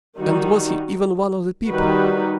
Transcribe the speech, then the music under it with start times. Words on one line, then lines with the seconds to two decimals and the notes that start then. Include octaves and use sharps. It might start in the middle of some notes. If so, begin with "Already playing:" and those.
And was he even one of the people?
0.19 D#3 G3 D#4 F#4
1.68 D#3 G3 D#4 F#4 B4